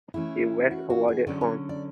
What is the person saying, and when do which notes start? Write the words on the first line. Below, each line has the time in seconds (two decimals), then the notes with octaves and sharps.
He was awarded Hon.
0.14 E3 A3 C#4 E4
0.71 F#4
0.90 F#4
1.08 G#4
1.27 D3 F#3 C#4 D5
1.41 C#5
1.69 D5